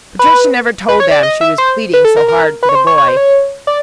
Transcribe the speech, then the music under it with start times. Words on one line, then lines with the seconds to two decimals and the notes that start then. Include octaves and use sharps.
Patricia never told them she was pleading so hard for the boy.
0.19 B4
0.88 B4
1.00 C#5
1.11 D5
1.23 D#5
1.41 E5
1.58 C5
1.94 B4
2.04 A4
2.17 A#4
2.28 A#4
2.63 B4
2.69 C#5
2.75 C5
2.87 C#5
2.98 C#5
3.08 C5
3.17 C#5
3.67 D5